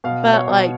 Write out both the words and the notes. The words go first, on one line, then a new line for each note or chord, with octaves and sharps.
But, like,
B2 F5
B2
C#5
B2